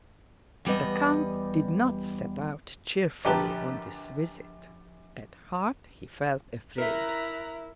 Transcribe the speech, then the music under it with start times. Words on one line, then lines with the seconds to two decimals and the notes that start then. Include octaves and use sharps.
The count did not set out cheerfully on this visit, at heart he felt afraid.
0.65 E2 G3 B3 D#5
3.25 A#1 D3 G4 B4 A5 A#5
6.78 E4 A#4 E5 A#5 F#6 B6